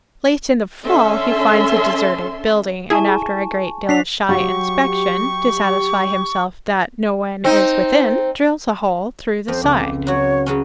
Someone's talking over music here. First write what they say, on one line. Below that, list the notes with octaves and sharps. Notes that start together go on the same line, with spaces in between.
Late in the fall he finds a deserted building, and after a great deal of shy inspection, to satisfy himself that no one is within, drills a hole through the side.
D3 C#4 A4 E5 C6
E4 G#4 G#5 A5 C#6
D4 B6 C7 F7
F#3 F#4 G4 F5 C#6
C4 D#4
F2 C5
C#2 D6
F#3 F#4 C#5
C#3 F#3 C#4